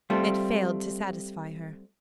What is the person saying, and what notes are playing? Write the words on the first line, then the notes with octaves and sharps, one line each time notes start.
It failed to satisfy her.
G3 A3 C4 F4